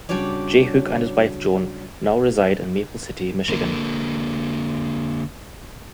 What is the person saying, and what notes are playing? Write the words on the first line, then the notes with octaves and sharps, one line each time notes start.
Jay Hook and his wife Joan now reside in Maple City, Michigan.
C#3 G3 D4 F#4 C#5 D5
D3 A#3